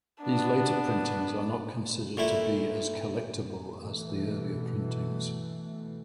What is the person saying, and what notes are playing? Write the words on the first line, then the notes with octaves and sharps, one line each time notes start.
These later printings are not considered to be as 'collectible' as the earlier printings.
B3 D4
A#2 A3 E4
B2 E3 A3